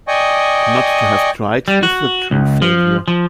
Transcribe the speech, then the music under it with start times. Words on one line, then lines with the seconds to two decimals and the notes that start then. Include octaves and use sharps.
Not to have tried is the true failure.
0.08 D5 D#5 G5 G#5 C#6 D#6
1.68 G3
1.83 F#4
2.31 C#2
2.62 F3
3.08 F3